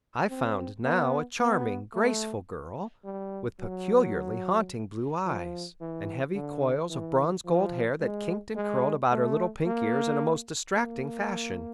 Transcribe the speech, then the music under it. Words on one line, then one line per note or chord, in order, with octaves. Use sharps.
I found now a charming, graceful girl, with peculiarly haunting blue eyes, and heavy coils of bronze-gold hair that kinked and curled about her little pink ears in a most distracting fashion.
C4
B3
B3
A3
G3
F#3
F3
E3
D3
E3
F3
G#3
G#3
A3
A#3
A#3